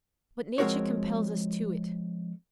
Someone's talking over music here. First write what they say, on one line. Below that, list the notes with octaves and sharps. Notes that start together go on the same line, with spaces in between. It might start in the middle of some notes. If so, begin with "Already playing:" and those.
But nature compels us to it.
F3 G#3 C4 F#4 A#4 C#5